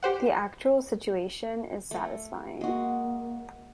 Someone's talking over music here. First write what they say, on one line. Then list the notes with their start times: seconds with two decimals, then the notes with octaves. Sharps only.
The actual situation is satisfying.
0.03 G4 C5 F#5
1.91 A3
2.61 G#3 A#3 F#4